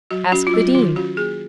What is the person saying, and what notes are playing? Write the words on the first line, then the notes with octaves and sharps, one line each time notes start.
Ask the Dean.
F#3 F#4
C#4 F#4
F4
F#3
F4
D#3 F4
C#4 F#4
A#3 G#4